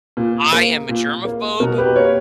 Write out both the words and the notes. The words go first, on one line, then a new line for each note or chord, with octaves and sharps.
I am a germaphobe
A#2
A#3
A#2
A#3
B2 F#4 A#4
G4 B4
A#3 A#4 C#5